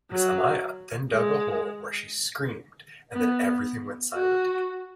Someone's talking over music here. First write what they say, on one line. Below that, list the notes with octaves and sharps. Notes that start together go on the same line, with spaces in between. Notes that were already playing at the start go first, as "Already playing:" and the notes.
Mrs. Amaya then dug a hole where she screamed and then everything went silent.
F#3
G#3
B3
F#4